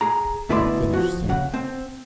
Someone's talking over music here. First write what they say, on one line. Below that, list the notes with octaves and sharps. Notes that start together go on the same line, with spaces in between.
I’m finished soon.
G#4 A#5
D2 B2 E4 B4 D5 C6
F3 F#4
C#3 F#5
C4